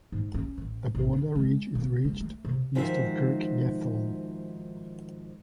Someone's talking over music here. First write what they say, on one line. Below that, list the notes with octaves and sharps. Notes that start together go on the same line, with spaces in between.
The border ridge is reached east of Kirk Yetholm.
G#2
C#4
A1
A1
C#3
G#3
C#3
G#3
A3
C3
G#2 D#3 F3 F#4 G#4 E5